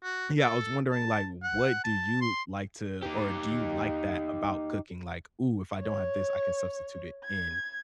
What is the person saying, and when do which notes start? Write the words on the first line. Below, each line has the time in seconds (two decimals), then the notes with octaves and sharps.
Yeah, I was wondering, like, what do you like to or do you like that about cooking? Like, "Ooh, if I don't have this, I can substitute it in,
0.03 F#4
0.40 A4
0.92 A5
1.43 F#5
1.84 A5
2.21 C6
3.03 D#4 G4
5.81 C#5
7.25 G#6